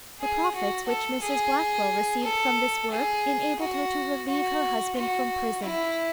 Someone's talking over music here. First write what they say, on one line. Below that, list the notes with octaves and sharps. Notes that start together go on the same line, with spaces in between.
The profits which Mrs Blackwell received from this work enabled her to relieve her husband from prison.
G#4
F#4
A4
G#4
A4
G#4
F#4
F#4
F#4
E4